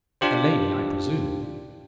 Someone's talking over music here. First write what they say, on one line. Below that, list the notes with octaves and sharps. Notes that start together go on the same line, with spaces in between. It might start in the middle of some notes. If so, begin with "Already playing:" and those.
A lady, I presume.
D4 F4 G4 C5